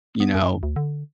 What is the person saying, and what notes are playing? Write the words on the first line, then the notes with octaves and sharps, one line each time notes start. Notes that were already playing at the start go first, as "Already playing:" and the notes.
you know,
B3
F#2
D2
D3